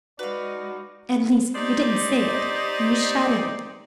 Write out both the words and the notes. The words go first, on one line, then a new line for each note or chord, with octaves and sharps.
"At least--you didn't say it--you shouted it!"
G#3 D#4 F#4 B4 D5 F5
D#4 G4 C5 D5 D#5